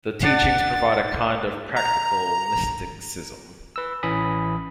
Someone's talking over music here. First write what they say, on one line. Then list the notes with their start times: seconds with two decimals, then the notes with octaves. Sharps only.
The teachings provide a kind of practical mysticism.
0.23 D4 D5 F#5 A6
1.77 A#5
3.76 B4 E6
4.03 A1 E3 C#4 B5 D#6